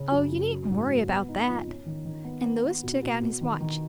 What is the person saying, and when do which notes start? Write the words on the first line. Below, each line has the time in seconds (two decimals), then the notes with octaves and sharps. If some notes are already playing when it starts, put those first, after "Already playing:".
"Oh, you needn't worry about that," and Louis took out his watch.
Already playing: C#3 C#4
0.12 F#2
0.31 F#2
0.51 F#3
0.70 G#2
0.89 F#3
1.09 B3
1.28 D#4
1.48 F2
1.67 C#4
1.86 D#3
2.05 D#3
2.25 B3
2.44 B3
2.64 B3
2.83 B2
3.02 B2
3.22 B2
3.41 D#3
3.61 D#3